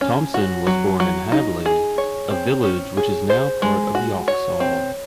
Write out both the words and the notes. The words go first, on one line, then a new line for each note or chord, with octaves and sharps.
Thompson was born in Hadley, a village which is now part of Yoxall.
C#4
F#4
F#3
F#3
D#4
G#4
C#5
C4
C#4
G#4
C5
G#3
F#4
C#5
C4